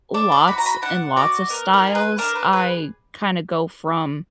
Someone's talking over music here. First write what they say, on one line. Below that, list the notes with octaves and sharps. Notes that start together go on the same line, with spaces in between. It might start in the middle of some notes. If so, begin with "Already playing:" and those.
lots and lots of styles. I kinda go from,
D4 D5
D5
F#4 B5
A#5
B5
D4 F#5
F#4 D5
B3 A#4
A#4
D#4
G#4
B4
D4 A#4
B4
G#4 B4